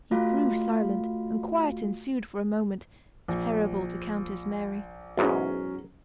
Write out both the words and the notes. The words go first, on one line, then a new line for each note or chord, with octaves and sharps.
He grew silent, and quiet ensued for a moment, terrible to Countess Mary.
A3 F4 F#4 F5
A#1
B1 E2 G#2 F#3 C#4